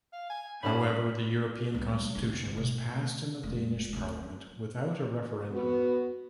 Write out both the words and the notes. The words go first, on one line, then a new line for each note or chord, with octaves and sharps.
However, the European constitution was passed in the Danish Parliament without a referendum.
F5
G#5
G#2 G3 C#4 A5 B5
C#2 G3
F1 D3
B2 A3
F1 G#3
D1 D3
B3 F#4